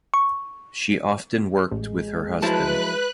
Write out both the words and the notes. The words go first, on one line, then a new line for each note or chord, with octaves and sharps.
She often worked with her husband.
C#6
A1 G#3
F3 F#3 E4 B4 A5 F#6